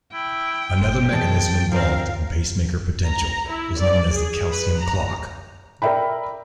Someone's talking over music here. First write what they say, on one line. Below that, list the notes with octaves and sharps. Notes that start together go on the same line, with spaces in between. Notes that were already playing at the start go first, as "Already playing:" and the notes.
Another mechanism involved in pacemaker potential is known as the calcium clock.
E4 G5
G#1 C5
E3 G#3 C4 A5
G2 F3 C4 A#4 F5
A#5
E4
D5
G#4
B4
A#5
A#4 D5 E5 G5 B5